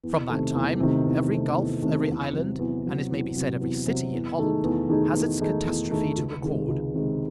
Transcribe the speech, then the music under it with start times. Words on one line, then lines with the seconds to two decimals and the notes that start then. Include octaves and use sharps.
From that time every gulf, every island, and it may be said every city, in Holland has its catastrophe to record.
0.03 E2
0.29 C3 D#3 A3
0.54 E2
0.80 C3 D#3 A3
1.06 E2
1.31 C3 D#3 A3
1.56 E2
1.82 C3 D#3 A3
2.09 E2
2.33 C3 F#3
2.59 E2
2.85 C3 F#3
3.11 E2
3.36 C3 F#3
3.61 E2
3.86 C3 F#3
4.13 E2
4.38 D#3 A3 D#4 G#4
4.64 E2
4.89 D#3 A3 D#4 G#4
5.15 E2
5.40 D#3 A3 D#4 G#4
5.66 E2
5.91 D#3 A3 D#4 G#4
6.17 C#2
6.43 C3 D#3 G#3
6.68 C#2
6.94 C3 D#3 G#3